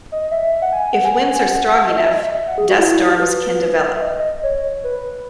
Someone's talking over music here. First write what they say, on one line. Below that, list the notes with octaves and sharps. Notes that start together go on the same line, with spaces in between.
If winds are strong enough, dust storms can develop.
D#5
E5
F#5
G#5
F#5
G#5
F#5
G#5
F#5
F#5
D#5
E5
D#5
E5
E5
F#5
G#4
F#4
E4
E4
F#4
B4
E5
D#5
C#5
B4